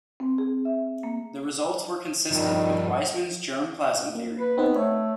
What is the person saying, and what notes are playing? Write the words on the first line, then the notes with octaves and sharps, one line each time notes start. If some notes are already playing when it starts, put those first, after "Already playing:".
The results were consistent with Weismann's germ plasm theory.
C4
G#4
E5
A#3
G2 D#3 F3 G3
A#3
B4
B3 C4 D#4 B4
A3 C#5